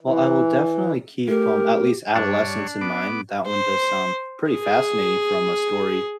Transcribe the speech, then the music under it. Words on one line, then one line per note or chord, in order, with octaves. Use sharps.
Well, I will definitely keep, um, at least Adolescence in mind, that one does sound pretty fascinating from a story
E3
A3 G4 A#4
G2 D4 C#5
B3 D6
C5
G#4